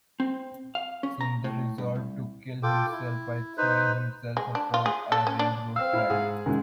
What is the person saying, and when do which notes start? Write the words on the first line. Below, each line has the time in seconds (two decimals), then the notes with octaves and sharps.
Sundar resolved to kill himself by throwing himself upon a railroad track.
0.20 C4
0.75 F5
1.03 C#4
1.21 A#5
1.44 A2
1.78 G2
1.96 C2
2.63 F4 A4 G5 D6
2.92 E4
3.58 D#4 B4 C5
4.37 G#3
4.55 D4
4.74 F4
4.86 G#4
5.12 A4
5.27 C#4
5.39 D4
5.76 C4 F5 E6
5.93 E4 F6
6.10 G#2 G#4
6.46 F#2 D#3 G#3